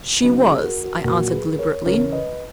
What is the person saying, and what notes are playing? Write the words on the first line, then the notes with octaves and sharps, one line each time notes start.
'She was,' I answered, deliberately.
C#3 F#3 B3 D#4
E4 G#4
F#4 A#4
F#4 A#4
A#2 F#3 F#4 A#4
G#4 B4
A#4 C#5
C#3 E3 A#4 C#5
B4 D#5